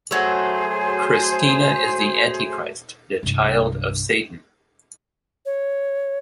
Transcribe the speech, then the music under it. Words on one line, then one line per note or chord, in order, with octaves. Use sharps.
Christina is the Antichrist, the child of Satan.
F#3 A3 G#4 C5
C2 G2
C#5